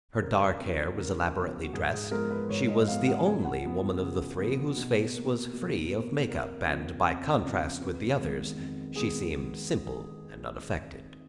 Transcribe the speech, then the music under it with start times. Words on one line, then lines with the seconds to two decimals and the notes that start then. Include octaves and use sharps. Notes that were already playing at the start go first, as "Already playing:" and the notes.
Her dark hair was elaborately dressed. She was the only woman of the three whose face was free of make-up, and by contrast with the others she seemed simple and unaffected.
0.22 C#3 A#4
0.59 F3 B3
0.98 C#3 A#4
1.36 F3 B3
1.63 F#4
1.73 G#2 G#4
1.93 G#4
2.11 F3 G#3 B3 A#4
2.30 B4
2.49 G#2 C#5
2.68 D#5
2.88 F3 G#3 B3 F5
3.07 F#5
3.26 C#3 G#5
3.45 F#5
3.63 F3 B3
4.01 C#3 G#4
4.40 F3 B3
4.77 B2
5.15 A#3
5.53 B2
5.92 A#3
6.29 F2 A#4
6.67 C#3 F3 B3
7.05 F2
7.43 C#3 F3 B3
7.81 F2 B4
8.19 D#3 G#3 B3
8.58 F2
8.95 D#3 G#3 B3 G#4